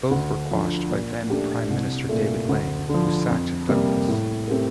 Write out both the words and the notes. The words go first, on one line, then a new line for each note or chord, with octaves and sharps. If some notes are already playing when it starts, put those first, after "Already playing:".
Both were quashed by then Prime Minister David Lange, who sacked Douglas.
D2
D3 F3
A#2
A3 D4 G4
C2
A#2 A3
D2
D3 F3
F2
C3 G3 A#3
A2
A3 C4 G4 A#4